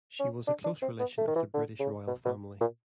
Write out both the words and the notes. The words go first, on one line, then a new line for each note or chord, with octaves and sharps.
She was a close relation of the British Royal Family.
C#4
D4
D4
C4
B3
A3
D#3
E3
D3
C#3
B2
B2
A#2